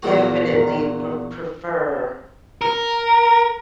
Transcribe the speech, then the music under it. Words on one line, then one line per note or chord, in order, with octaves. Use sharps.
Definitely re prefer
E2 A#2 F#4
A#4
A#4